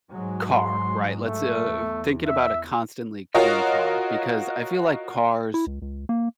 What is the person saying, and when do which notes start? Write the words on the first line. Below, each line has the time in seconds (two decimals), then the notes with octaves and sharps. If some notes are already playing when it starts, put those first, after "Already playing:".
car, right? Let's, uh uh, thinking about a constantly clean car, because I feel like cars,
0.12 G#2 F#3 G#3
0.51 C6
1.21 A3
1.64 E2
2.26 E5
3.35 F4 F#4 A#4 C#5 D#5
5.54 E4
5.67 C#2
5.82 C#2
6.09 A#3